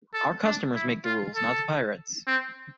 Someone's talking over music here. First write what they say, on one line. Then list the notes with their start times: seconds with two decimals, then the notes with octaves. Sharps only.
Our customers make the rules, not the pirates.
0.14 A4
0.44 D4
0.75 E4
1.05 F4
1.35 A4
2.27 C4